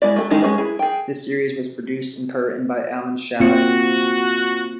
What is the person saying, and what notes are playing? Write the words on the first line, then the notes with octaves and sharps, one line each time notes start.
This series was produced and co-written by Alan Shalleck.
G#3 B3 E4 D5
A3 G#4 A4
D#3 G#3 C#4 D#4 E4
G#3 B3 C#4 G#4 B4
E4 G#4
G#4 G5
A#3 C4 F4 F#4 C#7